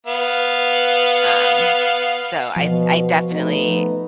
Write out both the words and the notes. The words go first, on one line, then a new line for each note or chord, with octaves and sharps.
Um, so I I definitely
B3 F5
B2 F3
A3 B3 D#4